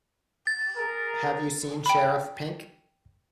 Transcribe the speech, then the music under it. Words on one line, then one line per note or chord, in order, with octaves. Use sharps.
Have you seen Sheriff Pink?
A6
G#4 A#4
G5 B5